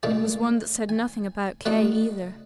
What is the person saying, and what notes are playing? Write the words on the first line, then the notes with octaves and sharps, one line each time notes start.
It was one that said nothing about Kay either.
A#2 G#3 A3 D4 G#5
G#5
A3 C4 D4 D#4 F#4 F#5